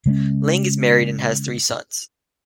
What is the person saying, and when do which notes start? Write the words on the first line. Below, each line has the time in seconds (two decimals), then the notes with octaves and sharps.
Ling is married and has three sons.
0.06 C#3 G#3 A#3 C#4